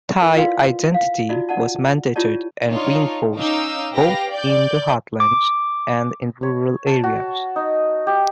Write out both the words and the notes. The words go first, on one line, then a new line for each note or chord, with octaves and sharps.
Thai identity was mandated and reinforced both in the heartlands and in rural areas.
E4 A#4
F4 B4 D5 F5 G5 C6
F5
D#4 F4 F#4 D5 E5
D#4 D5 F#5 A5
E4 F4 G4 C#5 D5 A5
D4 D#4 F4 C#5
C#4 D#4 F5 D6 E6 G6
G4 B4 F5 G5 A#6
D5 G6
D6
C#5
A5
F#4
D#4
G4